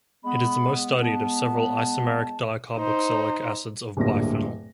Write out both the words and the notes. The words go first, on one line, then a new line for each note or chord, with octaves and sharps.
It is the most studied of several isomeric dicarboxylic acids of biphenyl.
G#3 B3 B5
A5
D#4 C5
D1 G2 A#2 A#6